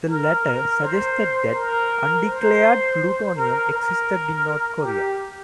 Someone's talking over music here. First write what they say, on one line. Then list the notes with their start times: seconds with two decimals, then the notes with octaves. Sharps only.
The latter suggested that undeclared plutonium existed in North Korea.
0.09 A#4
0.45 A#4
0.82 C5
1.54 A#4
2.27 C5
3.37 A#4
3.73 A#4
4.82 G4